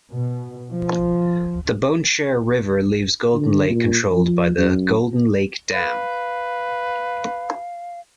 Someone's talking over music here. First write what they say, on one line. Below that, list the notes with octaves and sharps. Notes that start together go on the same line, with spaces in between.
The Bonnechere River leaves Golden Lake controlled by the Golden Lake Dam.
B2
F3
D3
A#2
F3
F#2
B4 F5